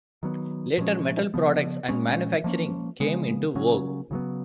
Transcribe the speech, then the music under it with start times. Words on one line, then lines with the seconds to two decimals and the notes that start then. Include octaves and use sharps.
Later metal products and manufacturing came into vogue.
0.23 D#3 F#3 B3
0.78 A#2 F3 G#3 C#4
1.34 C#3 F3 B3
1.89 A#2 G#3 C#4
2.44 F3 A#3 C#4
3.00 C#3 G#3 B3
3.55 C#3 F#3 C#4
4.11 C#3 F#3 B3